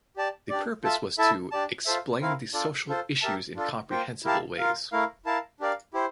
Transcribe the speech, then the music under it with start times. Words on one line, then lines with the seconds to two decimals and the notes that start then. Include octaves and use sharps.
The purpose was to "explain the social issues in comprehensible ways".
0.16 G4 D5 A5
0.50 D4 G4 D5
0.84 F4 A4 E5 A5
1.18 E4 A4 E5 A5
1.51 D4 G4 D5 A5
1.85 F4 A4 C5 E5
2.21 C4 E4 A#4 F5
2.53 D4 F4 A4 D5
2.88 F4 A4 C5
3.21 G4 A#4 E5 A5
3.56 D4 F4 A4
3.90 A#3 F4 C5 G5
4.24 E4 G4 A#4 F5 A5
4.58 F4 A#4 F5
4.92 A3 E4 A#4 F5
5.25 E4 A#4 F5 A5
5.60 D4 G4 A#4 D5 F5
5.93 E4 G4 C5